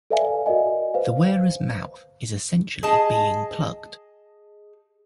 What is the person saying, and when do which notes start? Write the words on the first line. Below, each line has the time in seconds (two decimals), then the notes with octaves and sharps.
The wearer's mouth is essentially being plugged.
0.10 A4 B4 D5 E5 F5 G#5
0.46 F#4 A#4 D5 D#5 G#5
0.94 B4 C5 F5
2.83 G#4 D#5 A5